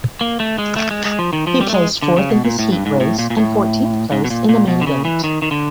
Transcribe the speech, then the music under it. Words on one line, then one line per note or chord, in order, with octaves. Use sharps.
He placed fourth in his heat race and fourteenth place in the main event.
A#3
A3
G#3
A3
G#3
G#3
F3
D#3
F3
G3
A3
G#3
D3
C#3
B2
A#2
A2
G2
G#2
A2
A#2
A#2
A2
G#2
B2
A#2
A#2
B2
D3
C#3
E3
D#3
D#3
D3